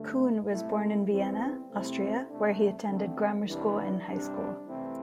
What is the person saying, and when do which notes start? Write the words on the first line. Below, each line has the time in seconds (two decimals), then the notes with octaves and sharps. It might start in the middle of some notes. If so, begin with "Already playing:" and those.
Kuhn was born in Vienna, Austria, where he attended grammar school and high school.
Already playing: G2 D3 A3
0.50 C3 A3 E4
1.10 E2 E3 G3 C4
1.69 C3 A3 C4 E4
2.29 C3 A3 D4
2.88 D2 D3 A3 C4
3.47 C3 E3 G3 D4
4.07 C3 G3 D4
4.67 C3 E3 A3 C4 E4